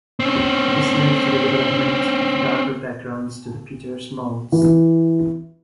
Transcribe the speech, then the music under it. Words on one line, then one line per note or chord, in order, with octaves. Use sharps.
This led to the development of darker backgrounds to the pitchers mounds.
C4 C#4
E3